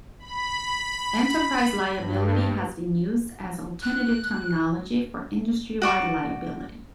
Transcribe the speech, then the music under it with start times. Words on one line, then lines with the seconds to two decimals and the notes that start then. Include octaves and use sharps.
Enterprise Liability has been used as alternative terminology for Industry-Wide Liability.
0.19 B5
1.96 G2
3.82 F#6
5.82 F#4 D5 C#6